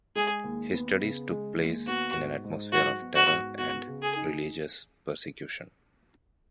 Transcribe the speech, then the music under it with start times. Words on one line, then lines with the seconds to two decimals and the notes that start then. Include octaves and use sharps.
His studies took place in an atmosphere of terror and religious persecution.
0.15 G#3 G#4
0.44 D#2
0.73 B3
1.02 C#3
1.30 G#3
1.59 D#2
1.87 B3 F#4
2.16 G#2
2.44 G#2
2.73 F#3 F#4
3.02 B3
3.16 F#4
3.30 G#2
3.58 B3 F#4
3.87 C#3
4.02 G#4
4.16 D#4